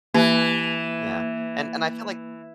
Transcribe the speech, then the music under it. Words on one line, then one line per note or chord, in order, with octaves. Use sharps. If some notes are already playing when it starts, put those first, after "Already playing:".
yeah, and and I feel like
E3 A#3